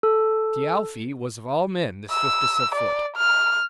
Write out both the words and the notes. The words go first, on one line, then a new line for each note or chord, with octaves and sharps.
Thialfi was of all men the swiftest of foot.
A4
E6
D5
F6